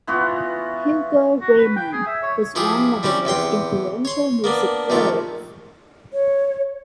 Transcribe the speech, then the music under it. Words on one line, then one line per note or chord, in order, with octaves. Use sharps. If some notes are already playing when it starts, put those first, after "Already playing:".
Hugo. Riemann was one of the most influential music theorists.
E3 B3 F4 F#4
F#4
B4
G5
G#4
E5
C#5
F3 E4 G4 G#4
G3 C4 C#4 E4 G4
E2 C3 G5 C6
C#5 C6
A#3 B3 D4
A#1 C3 D#3 A3 F4
C#5